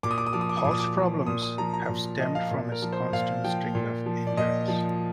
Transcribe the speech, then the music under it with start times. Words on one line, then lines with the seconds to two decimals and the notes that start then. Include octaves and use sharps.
Hall's problems have stemmed from his constant string of injuries.
0.03 A#2 D6
0.11 D#6
0.18 D6
0.26 D#6
0.33 F3 D6
0.41 D#6
0.49 D6
0.57 D#6
0.64 A#2 D6
0.71 D#6
0.80 D6
0.96 F3
1.26 A#2 D#6
1.42 D#6
1.58 F3 A#5
1.74 A#5
1.89 A#2
2.20 F3 D#5
2.35 F5
2.51 A#2
2.72 A#4
2.82 F3
2.92 C5
3.13 A#2 F5
3.44 F3 G5
3.75 A#2
4.06 F3
4.27 D5
4.37 A#2 D#5
4.68 F3